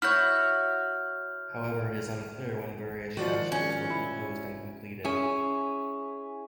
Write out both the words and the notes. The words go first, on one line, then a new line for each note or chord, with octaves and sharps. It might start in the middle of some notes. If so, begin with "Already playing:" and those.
However, it is unclear when various Shastras were composed and completed.
E4 F#4 C#5 F6 G6
D#3 F3 F#4 D5 F#5
C#4
E4
C#4 E4 G#4